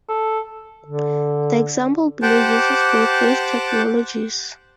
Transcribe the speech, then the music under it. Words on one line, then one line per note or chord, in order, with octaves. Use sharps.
The example below uses both these technologies.
A4
D3
G4 C5 F#5 G5 A5 D6